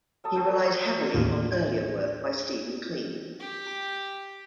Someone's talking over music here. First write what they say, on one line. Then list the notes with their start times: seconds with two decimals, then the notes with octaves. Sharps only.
He relied heavily on earlier work by Stephen Kleene.
0.24 F#3 A4 A5 D#6
0.36 F#4 A4 C5 G5
0.64 D#6
1.14 A1 D#2 F5 A#5
3.40 G4